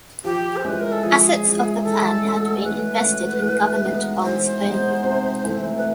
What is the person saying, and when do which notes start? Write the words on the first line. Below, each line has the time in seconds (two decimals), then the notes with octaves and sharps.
Assets of the plan had been invested in government bonds only.
0.24 F3 G4
0.57 C5
0.64 G#3 C#4 E4 B4
0.80 A#4
0.92 A4
1.04 F3 G#4
1.44 G#3 C#4 E4
1.84 E3 A4
2.24 A3 C#4 F#4
2.64 E3 B4
3.04 A3 C#4 F#4
3.43 E3
3.84 G#3 B3 D#4
4.23 E3 C5
4.64 G#3 B3 D#4
5.04 C3
5.44 E3 A3 C4
5.77 B4